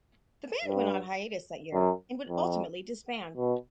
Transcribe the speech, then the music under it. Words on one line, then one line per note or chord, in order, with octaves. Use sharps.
The band went on hiatus that year, and would ultimately disband.
G2
F#2
F2
B2